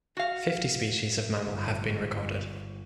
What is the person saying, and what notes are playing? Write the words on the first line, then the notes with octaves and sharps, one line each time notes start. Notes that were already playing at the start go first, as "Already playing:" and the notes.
Fifty species of mammal have been recorded.
F#4 F5
G1